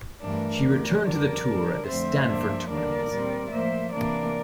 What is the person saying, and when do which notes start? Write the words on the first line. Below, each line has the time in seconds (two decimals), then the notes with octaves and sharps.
She returned to the tour at the Stanford tournament.
0.21 G2 E3 A3 D4 A#4 D5
0.63 E2 D3 A3
1.04 F2 D3 G3 D4 A#4 D5
1.45 D3 G3 D4
1.86 F2 D3 A3 C4 C5 E5
2.26 G2 F3 A#3 D4
2.68 E2 D3 G3 A#3 D4 A#4 D5
3.10 A#2 G3 C4
3.50 A2 F3 A#3 C5 E5
3.91 C3 E3 A#3 D4 A#4 D5